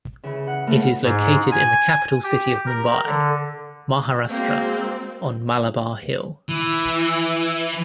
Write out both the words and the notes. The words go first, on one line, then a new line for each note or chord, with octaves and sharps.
It is located in the capital city of Mumbai, Maharashtra on Malabar Hill.
C#3 E3
F#5
C#3 E3 A3 A#3 A#4
G#2
G#5
G4
A#4
D3
G#3 A#3 C4 F#4
E3